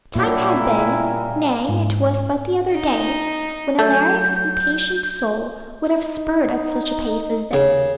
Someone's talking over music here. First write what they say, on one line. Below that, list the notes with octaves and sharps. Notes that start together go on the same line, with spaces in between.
Time had been--nay, it was but the other day--when Alaric's impatient soul would have spurned at such a pace as this.
A#2 F#3 G3 D4 E4
C#3 G3 A#4
G#2
D#4
F#3 A3 G6
D#4
D#2 C#3